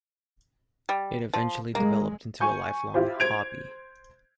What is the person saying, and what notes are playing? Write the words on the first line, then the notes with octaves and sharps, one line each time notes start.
It eventually developed into a lifelong hobby.
G3
F3
G#3 A#3
G#5 C#6 G6
E4 F4 G4 C5
C5 G#6 D7 F7